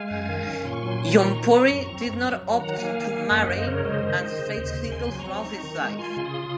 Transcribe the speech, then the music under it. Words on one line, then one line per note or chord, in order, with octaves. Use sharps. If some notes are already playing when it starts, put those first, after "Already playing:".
Jaunpuri did not opt to marry and stayed single throughout his life.
Already playing: G#3 F5 G#5
F#2
D#3
C#4
A#2 C6
C#6
F#3 G#5 C6
A#2
D#3 A#5 C#6
F#3
F#3
F#2
C4
F#2
F#3
F#3
D#3 F#5 A#5
A#3 F5 G#5
D#3
A#3
F#2 D#5 F#5
F#2 C5 D#5
C#3 A#4 C#5
G#3 C5 D#5
D#3
D#3
C#3
D#2
C#3
D#2 G#5 C6
F#3
A#5 C#6
C4
D#4
D#3
G#3
F4 G#5 C6
C#3
C6 D#6
F4